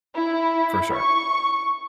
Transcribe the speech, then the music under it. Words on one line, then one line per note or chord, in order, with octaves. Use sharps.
For sure.
E4
C#6